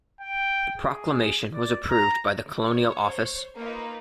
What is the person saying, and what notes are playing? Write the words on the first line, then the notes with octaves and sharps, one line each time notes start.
The proclamation was approved by the Colonial Office.
G5
G#4
D5
A#5
C#5
C5
A#3 D#4 F4 B4